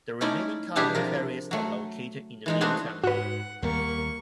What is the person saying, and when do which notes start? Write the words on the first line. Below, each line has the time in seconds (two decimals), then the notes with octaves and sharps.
The remaining Cargo Carriers are located in the Main Terminal.
0.21 A3 C#4 D#4 E4 D5
0.76 B2 G3 D4 E4 G4 G#4
0.95 C3 F3 A#4
1.51 F#3 A3
2.46 E3 G#3 D#4
2.61 A3 B3 C4 D4 F#4 G#4
3.04 G#2 F#4 B4 F#5
3.62 D#2 G3 A#3 C#6